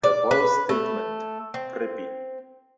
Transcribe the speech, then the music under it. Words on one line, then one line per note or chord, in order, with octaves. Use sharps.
The bold statement ""Preppie!
D5
B4
A3
C4